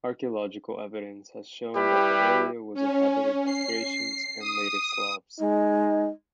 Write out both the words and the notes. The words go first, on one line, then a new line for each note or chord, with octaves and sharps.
Archeological evidence has shown that the area was inhabited by Thracians and later Slavs.
G3 E4 G4 B4
C#4
C7
D#6
G#3 D#4